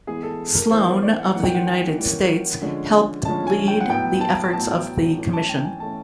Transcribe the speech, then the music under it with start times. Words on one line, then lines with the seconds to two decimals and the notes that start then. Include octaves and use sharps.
Sloane of the United States helped lead the efforts of the commission.
0.07 E3 G#3 B3 G#4
0.23 A4
0.54 A#4
0.70 E3 G#3 B3 C5
0.87 C5
1.03 D5
1.19 F#5
1.34 E3 G3 A#3 C#4 F#5
1.44 G5
1.55 F#5
1.67 G#5
1.98 E3 G3 A#3 C#4
2.61 D3 F3 G#3 C#4
3.25 D3 F3 G#3 C#4 A5
3.47 G#5
3.68 G5
3.80 F#5
3.89 A2 F#3 B3 G5
4.21 A5
4.53 A2 F#3 B3 A5
5.18 E3 A3 C#4
5.33 A5
5.49 G5
5.65 G#5
5.80 E3 A3 C#4 A5